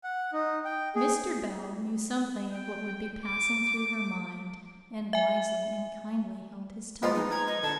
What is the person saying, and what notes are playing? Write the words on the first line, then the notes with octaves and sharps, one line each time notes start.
Mr. Bell knew something of what would be passing through her mind, and wisely and kindly held his tongue.
F#5
D#4
G5
G#4
G5
D6
E5 G#5
F3 G#3 B3 F4
D#4
A#5 G#6
D#5
D3 A5